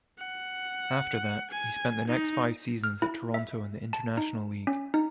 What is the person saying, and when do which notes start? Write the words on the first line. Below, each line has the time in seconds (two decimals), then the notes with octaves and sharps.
After that, he spent the next five seasons at Toronto in the International League.
0.18 F#5
1.51 G#5
2.07 D#4
2.84 F6
3.02 E4
3.34 E5
3.93 A5
4.17 D#4
4.67 C#4
4.94 D#4